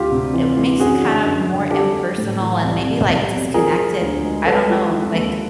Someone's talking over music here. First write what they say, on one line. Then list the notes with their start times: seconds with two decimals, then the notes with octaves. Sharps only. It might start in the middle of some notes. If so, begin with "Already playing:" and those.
it makes it kind of more impersonal and maybe, like, disconnected. I don't know, like,
Already playing: D2 D3 F4 G4
0.11 C3
0.34 E3
0.57 E3
0.79 F#2 F#4 G#4
1.02 D3
1.26 F#2
1.49 D3
1.71 G3 G4 A4
1.94 G3
2.18 A2
2.40 E3
2.64 C2
2.86 C2
3.10 C2
3.32 B2
3.54 F3 G#4 A#4
3.78 F3
4.01 D2
4.24 G#3
4.46 G#3 A4 B4
4.70 F3
4.93 F3
5.15 D#2